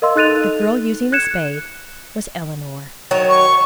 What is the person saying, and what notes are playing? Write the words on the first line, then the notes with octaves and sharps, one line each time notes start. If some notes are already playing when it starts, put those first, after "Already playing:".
The girl using the spade was Eleanor.
A#4 D#5 F5 C6 E6
D#4 A4 F#6 A6 D#7 F7
F#6 G#6 C#7 E7
D#3 F#3 C#5
C#6